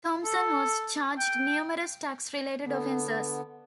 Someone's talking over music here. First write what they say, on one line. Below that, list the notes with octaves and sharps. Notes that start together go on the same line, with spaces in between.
Thompson was charged numerous tax-related offenses.
A4
G5
D3 B3